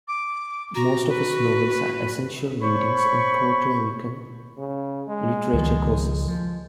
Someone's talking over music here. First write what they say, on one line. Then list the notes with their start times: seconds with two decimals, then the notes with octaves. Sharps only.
Most of his novels are essential readings in Puerto Rican literature courses.
0.08 D6
0.75 F#4 A#5
1.09 B4
2.62 C5 C#5 B5 C#6
4.58 C#3
5.09 G#3
5.53 C#2 D#3 F3
6.27 F3